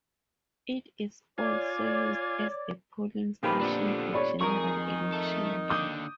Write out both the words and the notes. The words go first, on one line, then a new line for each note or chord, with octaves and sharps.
It is also used as a polling station for general elections.
F4 C#5 D5 G#5 D6
A#2 D#3 F3 A#3 G4 B4
F2 D3 F3 B3 D4
C#5 D5 B5
F2 D#3 D#4 G#4 A#4 C#6
A4 E5
D#2 D3 D6 D#6 G6